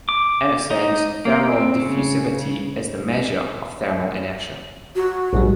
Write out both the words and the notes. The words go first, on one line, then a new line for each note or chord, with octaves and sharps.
In a sense, thermal diffusivity is the measure of thermal inertia.
D6
D#4
A#3
C4
C#3
F#4
A#1 G#2 G3